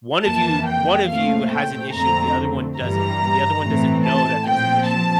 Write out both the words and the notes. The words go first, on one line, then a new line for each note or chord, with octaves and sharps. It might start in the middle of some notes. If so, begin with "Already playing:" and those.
one of you one of you has an issue and the other one doesn't, and the other one doesn't know that there's an issue,
F2 E3 A#3 A5
G5
A#2 A3 C4 F5
G5
F2 D3 A3 C4 A#5
G2 E3 G3 A#5
A2 E3 A3 C4
A5
A#2 F3 C4 G5
A5